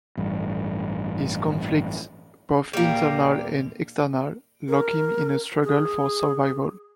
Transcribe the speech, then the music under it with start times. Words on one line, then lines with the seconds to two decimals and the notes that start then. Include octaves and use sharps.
His conflicts-both internal and external-lock him in a struggle for survival.
0.17 A1 G2
2.73 A#1 D#2 G3 A#3 G4
4.68 A#4
5.63 G#4